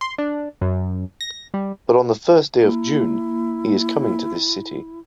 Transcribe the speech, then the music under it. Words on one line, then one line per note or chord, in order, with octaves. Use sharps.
But on the first day of June he is coming to this city.
C6
D4
F#2
A#6
G3
A#3 E4